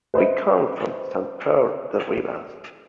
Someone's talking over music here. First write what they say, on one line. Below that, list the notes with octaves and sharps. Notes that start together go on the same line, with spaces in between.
We come from Sant Pere de Ribes.
B4 C5 D#5 E5